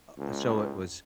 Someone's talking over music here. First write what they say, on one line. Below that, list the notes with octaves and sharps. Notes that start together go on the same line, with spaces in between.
Uh, so it was
C#2